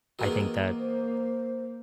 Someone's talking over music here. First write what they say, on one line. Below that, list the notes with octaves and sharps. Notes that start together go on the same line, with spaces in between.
I think that
D#3 E3 A#3 B3 F#4 G#4
C5